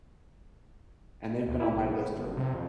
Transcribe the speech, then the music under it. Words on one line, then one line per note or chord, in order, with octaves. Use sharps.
and they've been on my list for
D2
E4
B1
B3
G1
F1
C3
F2